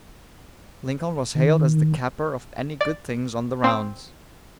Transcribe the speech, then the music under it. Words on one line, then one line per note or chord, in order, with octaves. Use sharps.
Lincoln was hailed as the "capper" of any "good things on the rounds."
D#3
D5
C4